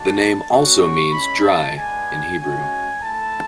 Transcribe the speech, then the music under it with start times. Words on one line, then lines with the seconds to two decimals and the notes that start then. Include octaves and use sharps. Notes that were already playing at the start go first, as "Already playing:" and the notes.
The name also means "dry" in Hebrew.
Already playing: G#3 D4 F#4 A5
0.48 A3 C#4 F#4
0.80 C#6
1.11 G#3 C#4 E4 B5
1.43 A5
1.75 G#3 B3 D4 G#5
2.38 G#3 C#4 F#4 G#5
3.02 A3 E4 A5